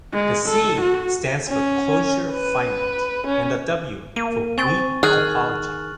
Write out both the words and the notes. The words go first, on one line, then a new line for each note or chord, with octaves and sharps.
The "C" stands for "closure-finite", and the "W" for "weak topology".
G#3
A4
F#4
C#4
B4
C#4
A#3 D#7
C4 G#5 C#6 A6
D#3 G#4 F6 F#6 F#7